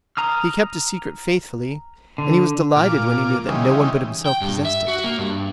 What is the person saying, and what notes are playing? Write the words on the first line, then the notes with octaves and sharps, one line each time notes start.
He kept a secret faithfully, and he was delighted when he knew that no one but himself possessed it.
A#5 D#6 F6
D3
A#2 F4 D6
C#3 E3 G3 G#3 D#4
G5
G2
E5
F#4
A#3
G2